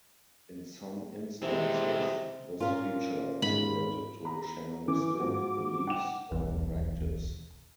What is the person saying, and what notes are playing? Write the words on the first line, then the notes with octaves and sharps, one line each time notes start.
In some instances, this feature is related to shamanistic beliefs or practice.
C3 E3 G#3
A#2 C#4 F4 A#4
G#2 B5
A#5 B5
E3 D6
G#2 F3 F#4
F#5 G5 E7
D#1 B1 E2